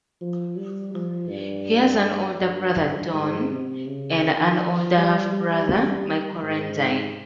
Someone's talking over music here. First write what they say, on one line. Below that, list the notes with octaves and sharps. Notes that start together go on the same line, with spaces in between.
He has an older brother, Don, and an older half-brother, Michael Rendine.
F3
G3
F3
G2
G2
G2
G#2
C3
C#3
D#3
F3
G3
G3
G#2